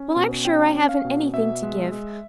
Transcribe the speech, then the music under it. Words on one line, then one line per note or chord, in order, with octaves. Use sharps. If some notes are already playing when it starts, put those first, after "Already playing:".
Well, I'm sure I haven't anything to give.
Already playing: C#4
B2
C#4 G5
C#4
F5
B2
B2 E5
G#3
G#3